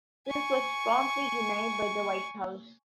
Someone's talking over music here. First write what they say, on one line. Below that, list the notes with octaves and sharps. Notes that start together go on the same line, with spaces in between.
This was promptly denied by the White House.
G#5 C#6